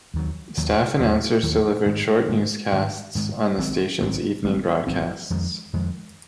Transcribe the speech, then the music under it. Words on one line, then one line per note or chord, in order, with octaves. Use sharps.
Staff announcers delivered short newscasts on the station's evening broadcasts.
D#2 D#3 F#3
D#2 D#3 F#3
D#2 D#3 F#3
D#2 D#3 F#3
G#2 D#3 G#3
G#2 D#3 G#3
G#2 D#3 G#3
G#2 D#3 G#3
G#1 G#2 F#3 C4
G#1 G#2 F#3 C4
G#1 G#2 F#3 C4
G#1 G#2 F#3 C4
F2 D#3 G#3
F2 D#3 G#3